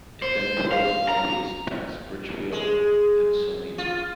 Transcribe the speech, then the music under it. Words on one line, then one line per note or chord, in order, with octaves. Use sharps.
It then flows northeast past Richfield and Salina.
C5
F5
A#5
G#3
F4